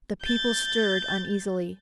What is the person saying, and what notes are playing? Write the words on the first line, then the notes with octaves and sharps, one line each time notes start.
The people stirred uneasily.
G6 A6